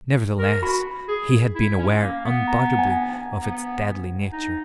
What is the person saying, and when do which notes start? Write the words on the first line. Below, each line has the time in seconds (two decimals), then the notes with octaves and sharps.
Nevertheless, he had been aware, undoubtedly, of its deadly nature.
0.39 A#4
0.62 F#4 B5
1.08 G#4
1.55 E4
1.79 C#4
2.02 A#3
2.25 B3
2.47 A#5
2.73 F#5
2.79 G#5
3.09 G#5
3.40 B3
4.33 D#4